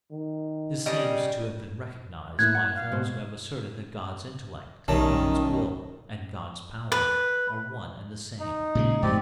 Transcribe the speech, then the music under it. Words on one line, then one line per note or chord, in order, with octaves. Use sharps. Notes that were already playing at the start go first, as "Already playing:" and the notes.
This seems to have been recognized by those who have asserted, that God's intellect, God's will, and God's power, are one and the same.
D#3
C#3 G3 D#5
A2 A#3 E4 F#6 G#6
F#5
F5
G#2 B2 C5
B1 F#2 D#3 G3 A5
B4
D#4
A#2 C#3 G#3
F2 G#2 A3 C4 G4 D5